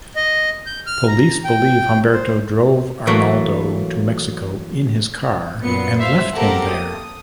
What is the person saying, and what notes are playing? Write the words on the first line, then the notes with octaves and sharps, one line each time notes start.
Police believe Humberto drove Arnoldo to Mexico in his car and left him there.
D#5
G6
F6
A#5
G5
C5
E3 F#3 A3 A#3
F#2 A#2 B3 C#7
C5 E5 F5
A#3 C4 G4 A4 A#4 F#5
D#6